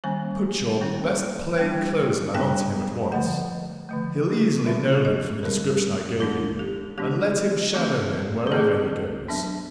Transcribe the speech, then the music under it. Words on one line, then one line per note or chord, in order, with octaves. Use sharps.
Put your best plainclothes man on to him at once--he'll easily know him from the description I gave you--and let him shadow him wherever he goes.
D#3 G3 A#3 C#4 G#5
D#3 G3 A#3 C#4
G3 B3 D4 G5
G3 B3 D4 G5
D3 F3 A3 F#5
D3 F3 A3
D3 G3 C4 E5
D#5
D3 G3 C4 A#4
E3 G#3 B3 D4 A4
G4
E3 G#3 B3 D4 G4
E3 A3 C4
A4
E3 A3 C4 G#4
F#3 B3 D4